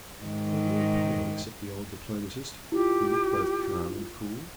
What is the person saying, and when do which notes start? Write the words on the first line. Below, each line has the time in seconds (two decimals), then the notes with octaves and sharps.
They were all pale except the old diplomatist, who looked both calm and cool.
0.23 G#2 D#3
2.72 E4 F4 G4